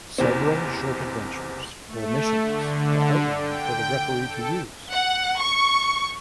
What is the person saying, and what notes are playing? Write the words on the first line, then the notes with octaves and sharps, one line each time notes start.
Several short adventures or missions are outlined for the referee to use.
F#1 E2 C3 C4
A3
D3
G5
A4
F#5
C#6